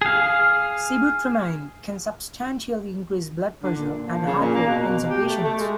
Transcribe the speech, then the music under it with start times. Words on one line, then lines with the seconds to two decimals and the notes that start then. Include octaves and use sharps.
Sibutramine can substantially increase blood pressure and heart rate in some patients.
0.01 G#4 F5
3.63 D3
3.77 A#2
4.07 F3
4.26 C#3
4.40 A#2
4.55 A#3
4.66 B2
4.88 B2
5.10 G4
5.26 A3
5.43 A3
5.59 G#3